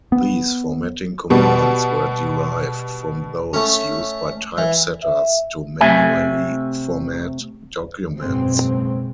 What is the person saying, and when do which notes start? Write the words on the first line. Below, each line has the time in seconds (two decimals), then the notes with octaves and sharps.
These formatting commands were derived from those used by typesetters to manually format documents.
0.12 B3
1.30 B2 G3
3.53 A3 C#4
4.58 E3
5.02 E5
5.81 C3 A3 E5 G#5
8.18 F#1 G#2 B2 G#3 C4